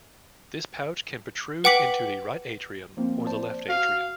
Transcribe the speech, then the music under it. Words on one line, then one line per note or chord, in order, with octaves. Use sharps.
This pouch can protrude into the right atrium or the left atrium.
B4 F#5 G5 D6 B6 F#7
F3 A#3 C4
C5 D5 A5
F#4 F5